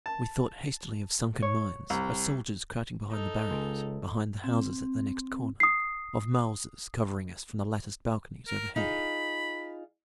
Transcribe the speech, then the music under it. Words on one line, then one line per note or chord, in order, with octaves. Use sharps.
We thought hastily of sunken mines, of soldiers crouching behind the barriers, behind the houses at the next corner, of Mausers covering us from the latticed balconies overhead.
A5
C#5
C2
D#4 A4
C#2
C4
D#6 C7
A#4
D#4 F4 G#4 B5